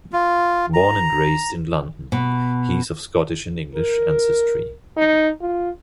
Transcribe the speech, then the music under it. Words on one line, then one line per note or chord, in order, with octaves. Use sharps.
Born and raised in London, he is of Scottish and English ancestry.
F4
A#5
B2
A#4
D#4
F4